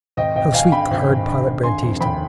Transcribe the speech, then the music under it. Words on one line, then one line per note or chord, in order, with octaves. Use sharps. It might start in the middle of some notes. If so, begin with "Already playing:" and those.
How sweet the hard pilot-bread tasted!
G#1 D#5 G5
G#1 D#5 G5
G#1 F5 G#5
D3 G5 B5
G#1
G#1
D3
G#1
D3 G#5 C6
F1
D#2 G5 B5